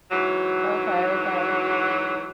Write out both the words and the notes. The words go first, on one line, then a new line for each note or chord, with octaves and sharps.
Okay, okay.
G#2 E3 F#3